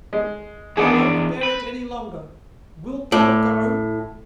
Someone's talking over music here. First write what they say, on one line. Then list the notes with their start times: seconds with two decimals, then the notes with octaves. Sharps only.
"I won't bear it any longer; wilt thou go?"
0.13 G#3
0.77 E2 D#3 B3 D4 G#4
1.43 B4
3.12 A2 D5